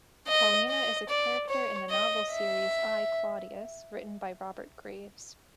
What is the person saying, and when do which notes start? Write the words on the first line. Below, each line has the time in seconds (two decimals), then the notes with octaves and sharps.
Paulina is a character in the novel series, I, Claudius written by Robert Graves.
0.28 D#5
0.69 D#5
1.09 D5
1.49 C#5
1.90 D#5
2.31 E5